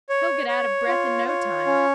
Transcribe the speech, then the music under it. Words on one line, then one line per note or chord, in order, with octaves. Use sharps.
He'll get out of breath in no time.
C#5
C#5
F4
C#5
C#4